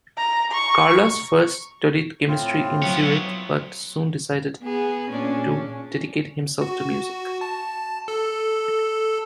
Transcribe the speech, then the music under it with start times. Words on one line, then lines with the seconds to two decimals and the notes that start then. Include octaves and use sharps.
Carlos first studied chemistry in Zurich, but soon decided to dedicate himself to music.
0.18 A#5
0.52 C#6
2.27 A2 C4 F4
2.82 F#3 B3 C#5
4.63 B3 G#4
5.09 A#2 C#4 D4
6.62 F#4
7.41 A5
8.08 A4